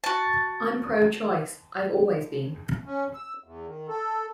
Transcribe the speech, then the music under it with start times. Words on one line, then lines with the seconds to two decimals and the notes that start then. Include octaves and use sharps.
I'm pro-choice; I've always been.
0.04 F#4 A5
2.86 C#4
3.14 E6
3.44 E2
3.66 D#3
3.89 A4